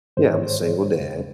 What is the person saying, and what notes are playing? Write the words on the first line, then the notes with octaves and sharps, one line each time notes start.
yeah, I'm a single dad.
G#2 D#3 G#3 C5
C#5
C5
E2 C#3 G#3